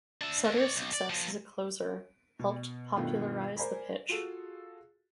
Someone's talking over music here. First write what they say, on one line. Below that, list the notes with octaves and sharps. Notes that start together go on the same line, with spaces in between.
Sutter's success as a closer helped popularize the pitch.
D4 E5
D2 D3
C#5 D5
B1
D5
F3 A#3
B2
G2 B2 D#3 A3 B3 F4
A#4 C5 D5 G#5 A#5 B5
F4 F#4 G#4 A4